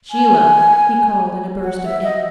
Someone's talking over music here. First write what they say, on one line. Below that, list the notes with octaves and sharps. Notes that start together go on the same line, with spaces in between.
'Sheila!' he called in a burst of anger.
G#5
F#5
E5
D#5